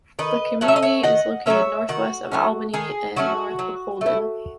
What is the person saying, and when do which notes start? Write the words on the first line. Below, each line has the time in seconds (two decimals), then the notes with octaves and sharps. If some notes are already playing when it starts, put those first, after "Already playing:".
The community is located northwest of Albany and north of Holden.
0.19 D#3 B4 D#5
0.61 F#3 A3 C#4 F#5
0.68 E5
0.76 D#5
0.82 C#5 E5
1.03 D#3 D#5 F#5
1.46 F#3 A3 C#4 C#5 E5
1.89 D#3 F#4
2.32 F#3 A3 C#4
2.74 D#3 G#4
3.16 F#3 A3 C#4 F#4
3.59 F#3
4.01 A3 E4